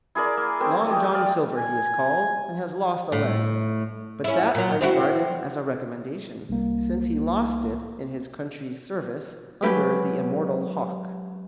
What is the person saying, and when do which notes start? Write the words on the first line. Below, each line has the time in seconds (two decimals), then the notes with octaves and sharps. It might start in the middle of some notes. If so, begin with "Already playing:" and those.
Long John Silver, he is called, and has lost a leg; but that I regarded as a recommendation, since he lost it in his country's service, under the immortal Hawke.
0.15 E4 G#4 A#4 D5
0.37 A#3
0.60 A3 A#3 C4
0.89 A3 G4 G#4 D#5
1.11 D5 F5 G5
1.57 G#5
3.12 A2
4.24 C#4 E4
4.55 A#2 F#3
4.81 C4 E4 F#4
6.49 C2 A#3
9.62 F#3 G#3 C#4 G4 B4